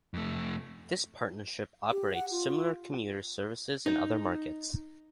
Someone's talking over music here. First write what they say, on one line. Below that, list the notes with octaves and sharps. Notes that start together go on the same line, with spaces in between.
This partnership operates similar commuter services in other markets.
F2 A3
G4
F#5
F4
D#4